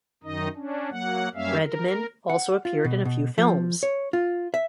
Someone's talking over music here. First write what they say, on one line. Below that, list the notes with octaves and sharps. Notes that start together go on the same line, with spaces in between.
Redman also appeared in a few films.
F#2 D#3 D#4 D#5
C#4 D4
F#3 A#3 F#5
F#2 G3 A#3 C#4 E5 F5
A#4
F#5
F4
B2
B2
F3
C#5
F4
E5